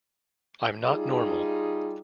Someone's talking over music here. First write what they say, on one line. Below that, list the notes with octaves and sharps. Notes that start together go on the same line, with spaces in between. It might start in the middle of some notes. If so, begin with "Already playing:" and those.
I'm not normal.
G3 D#4 F4 G4 G#4